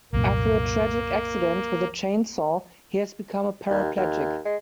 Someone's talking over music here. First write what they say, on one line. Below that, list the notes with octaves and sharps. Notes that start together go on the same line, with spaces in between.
After a tragic accident with a chainsaw he has become a paraplegic.
C2 F#2 A#2 A#3
D#2
D#2
G#3